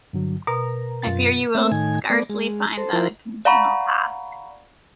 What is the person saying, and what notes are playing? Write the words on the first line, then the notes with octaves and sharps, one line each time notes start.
I fear you will scarcely find that a congenial task.
G2 D3 F#3
B2 A#4 A#5
F#2 F4 A6
A3 A#3 C4 E5
A2 D#3 G#5
A3 B3 D5
G#3
A4 C5
F3 E4 F4 A#4 C5
D5 F5 F#5 A#5 B5 C#6